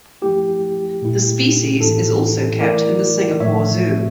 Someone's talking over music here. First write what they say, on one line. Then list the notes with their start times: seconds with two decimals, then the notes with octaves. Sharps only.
The species is also kept in the Singapore Zoo.
0.22 F3 A3 E4 G4
1.02 A#2 A3 E4
1.81 A2 E3 A#3 C#4 E4 A4
2.60 E3 A3 E4 A#4 D5
3.40 A2 F3 A3 C#5 E5